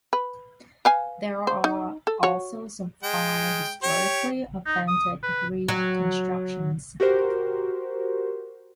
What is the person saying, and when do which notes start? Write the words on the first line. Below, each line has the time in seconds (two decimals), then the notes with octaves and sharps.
There are also some fine, historically authentic reconstructions.
0.13 B4
0.85 B4 F5 G#5
1.47 C5
1.64 D#4
2.07 A4
2.23 F#4 C#5
3.03 G#3 G5
3.83 G4 C#5
4.67 D#4
4.88 D#6
5.23 B4
5.68 F#3
7.00 F#4 G4 A#4 C5